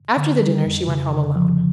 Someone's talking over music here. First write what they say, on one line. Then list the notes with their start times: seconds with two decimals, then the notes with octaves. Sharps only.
After the dinner she went home alone.
0.17 D3
0.42 G3
0.65 F2
0.88 C#3
1.12 D3
1.36 F3